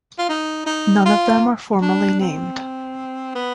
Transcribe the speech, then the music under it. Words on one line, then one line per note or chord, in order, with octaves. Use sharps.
None of them are formally named.
F4
D#4
D#4
F4
D4
C4
B3